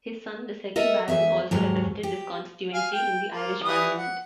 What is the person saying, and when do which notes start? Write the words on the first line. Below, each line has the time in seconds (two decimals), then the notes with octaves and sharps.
His son, the second Baron, also represented this constituency in the Irish Parliament.
0.76 A4 A#4 D#5 E5
1.08 E2 G#4 E5
1.51 D#2 G#2 F#3
2.03 G4
2.73 F5 G#5
2.92 G5
3.29 A#3 F4
3.63 E3 G3 D#6
3.98 F#5